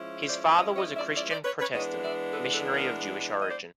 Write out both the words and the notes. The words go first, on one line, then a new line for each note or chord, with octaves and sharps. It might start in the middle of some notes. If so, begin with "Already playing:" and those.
His father was a Christian Protestant missionary of Jewish origin.
Already playing: F3 G#3 C#4 E4
C5 D5
C#5 D#5
C#5 D#5
D5 E5
D5 E5
C5 D5
B4 C#5
B4 C#5
E3 G#3 B3 D4 C#5 D#5
D5 E5
A4 B4
A4 B4
G#4 A#4
D#5
C5 D5